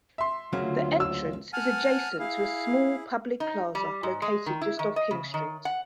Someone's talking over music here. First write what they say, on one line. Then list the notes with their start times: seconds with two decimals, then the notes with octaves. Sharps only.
The entrance is adjacent to a small public plaza located just off King Street.
0.18 E5 C6
0.53 D2 C#3 F#3 A#3 F4
1.00 E6
1.53 F#5 G#5 A5 F6
2.19 E4 G#4 F5
3.40 D#4
3.75 G3
4.03 G#2
4.22 G#3
4.46 D#3
4.62 E4
4.79 D#3
4.96 D#5
5.11 C#3
5.34 D#3
5.65 F#5